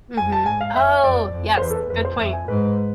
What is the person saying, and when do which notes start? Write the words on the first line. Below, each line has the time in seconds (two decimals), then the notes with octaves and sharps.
Mhm. Oh! Yes, good point.
0.17 F2 G#5
0.32 A5
0.46 G#2 G#5
0.61 F5
0.75 F2 E5
1.04 F2 D5
1.32 F2
1.57 C5
1.61 E2 B4
1.70 A4
1.76 B4
1.90 F2 B4
2.05 C5
2.18 F2 E5
2.33 G#5
2.48 G#2 B4